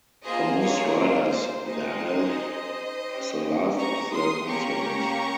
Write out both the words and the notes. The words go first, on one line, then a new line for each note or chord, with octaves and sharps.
For most riders, their health is the last of their concerns.
A#3 F4 G#4 C5 D#5
C#5
C5
C4 D#4 G#4 C5 D#5
C#4 G4
A#5 C#6
C6 D#6
A#3 C#4 G4 A#5 C#6